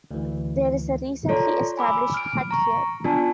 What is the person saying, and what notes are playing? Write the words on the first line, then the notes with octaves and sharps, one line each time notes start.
There is a recently established hut here.
D2 E3
F4 A4 C#5 D5 A#5 C6
G#5 B5 D6 E6
F6 D7
A#5 C#6
B3 D4 F4 D5 G#5 A5